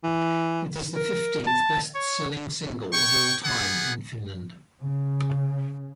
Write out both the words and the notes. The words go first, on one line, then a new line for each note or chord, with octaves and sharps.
It is the fifteenth-best-selling single of all time in Finland.
E3
A#4
A5
C#5
C#5 G5 C#6
G3 B3 G#4 F#5
C#3